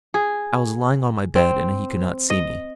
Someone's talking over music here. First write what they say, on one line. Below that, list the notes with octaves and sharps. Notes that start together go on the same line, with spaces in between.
I was lying on my bed, and he could not see me.
G#4
C4
D#5